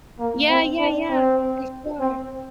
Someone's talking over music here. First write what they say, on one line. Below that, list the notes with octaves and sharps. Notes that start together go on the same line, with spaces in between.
Yeah, yeah, yeah. For sure.
A#3
C4
D4
C4
C4